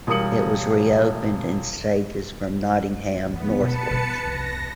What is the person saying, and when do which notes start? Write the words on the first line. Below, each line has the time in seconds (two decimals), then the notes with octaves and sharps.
It was reopened in stages from Nottingham northwards.
0.07 E1 G3 A#4 D#6 C#7 F#7
2.94 G#3
3.29 D3 F3 B3
3.60 B2 B4 A5 C#7
3.91 B2 G3
4.23 C2 F2 A#6